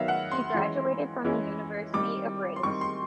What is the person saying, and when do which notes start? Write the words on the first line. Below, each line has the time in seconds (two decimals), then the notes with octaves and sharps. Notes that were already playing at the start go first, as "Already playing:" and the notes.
He graduated from the University of Rennes.
Already playing: D#3 F#3 B3 E5 F5
0.08 F#5
0.32 C6
0.54 E3 G#3 C#4 E4
1.24 E3 G#3 C#4 E4
1.94 D#3 G3 C4 D6
2.56 C6
2.63 D#3 G3 C4 C#6
2.81 C6